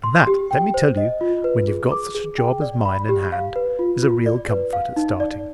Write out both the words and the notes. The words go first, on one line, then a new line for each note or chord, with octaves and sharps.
And that, let me tell you, when you have got such a job as mine in hand, is a real comfort at starting.
C6
G4
G5
C5
D#5
F4
B4
G#4
D6
G#4
G5
D5
B5
G4
F5
B4
F4
F4
D5
B4
F5
D#4
D5